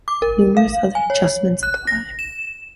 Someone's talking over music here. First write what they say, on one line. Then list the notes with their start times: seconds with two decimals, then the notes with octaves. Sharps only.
Numerous other adjustments apply.
0.08 D6
0.22 A#4
0.57 F5
0.95 G#5
1.10 C#5
1.63 F#6
1.87 A#6
2.19 E7